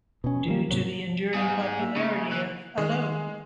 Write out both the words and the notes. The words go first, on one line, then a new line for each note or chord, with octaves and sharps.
Due to the enduring popularity of 'Allo!
B2 C#4
D#3 G3 A#3
G#2 C3 F#3 A#3
G#2 B3 G#4 F5
A#3 E5
C#3 D#4
E3
D#3 G#3